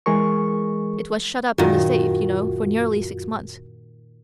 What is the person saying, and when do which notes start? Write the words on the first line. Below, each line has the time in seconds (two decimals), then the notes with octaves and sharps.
It was shut up in the safe, you know, for nearly six months.
0.06 E3 G#3 G#4 A#4 C#6
1.58 F#2 A#2 D#3 F4 F#4